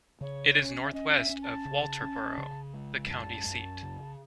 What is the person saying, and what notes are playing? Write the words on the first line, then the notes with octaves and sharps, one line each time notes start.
It is northwest of Walterboro, the county seat.
C#3 C#5
C#4
E5
C#4 D#5
E5
C#4
A5
C#3
C#4
C#3
G#3
F#2 A5
F#2
C#3